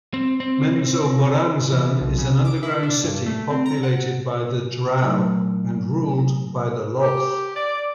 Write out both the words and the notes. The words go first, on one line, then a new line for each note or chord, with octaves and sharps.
Menzoberranzan is an underground city populated by the drow, and ruled over by Lolth.
C4
C4
E3
B1
C#3
D6
E4
D4
G2
A3
C4
A#5
F#5
A#2 F#3 A3 D#4 E4
G4
D5